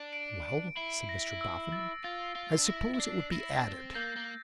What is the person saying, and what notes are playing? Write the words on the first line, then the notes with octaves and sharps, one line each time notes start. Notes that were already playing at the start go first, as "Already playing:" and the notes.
'Well,' said Mr Boffin, 'I suppose it would be added.'
Already playing: D4
D7
D7
E4 C7
A#6
E6
A6
F4 A6
F4
D4
E4 A#6
E4
D4 C7
E4 A#6
D4
A6
C4
A#3 G6
A#3